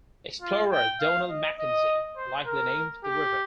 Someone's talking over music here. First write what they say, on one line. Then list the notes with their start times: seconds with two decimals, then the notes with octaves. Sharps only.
Explorer Donald Mackenzie likely named the river.
0.42 F4
0.71 G5
1.00 F5
1.29 D#5
1.58 D#5
2.17 C5
2.46 A#4
3.04 G4